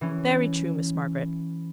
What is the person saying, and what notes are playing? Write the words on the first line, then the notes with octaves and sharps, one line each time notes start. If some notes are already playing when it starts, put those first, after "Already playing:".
'Very true, Miss Margaret.
E3 C#4